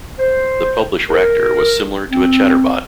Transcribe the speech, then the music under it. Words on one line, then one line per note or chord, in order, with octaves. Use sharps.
The published Racter was similar to a chatterbot.
C5
A#4
C4